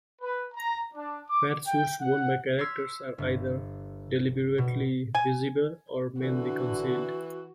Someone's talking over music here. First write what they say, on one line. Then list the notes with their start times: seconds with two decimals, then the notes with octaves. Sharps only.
Fatsuits worn by characters are either deliberately visible or mainly concealed.
0.22 B4
0.55 A#5
0.94 D4
1.28 D6
1.68 G5
2.01 F#5
2.59 C6 E6 F6 G#6 B6 C7
3.18 G1
4.58 B2
5.15 G#5
6.21 D3 E3 F#4